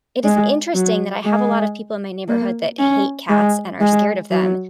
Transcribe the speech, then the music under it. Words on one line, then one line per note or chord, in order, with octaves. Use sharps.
it is interesting that I have a lot of people in my neighborhood that hate cats and are scared of them.
G#3
F#3
G#3
A#3
C#4
G#3
G#3
F#3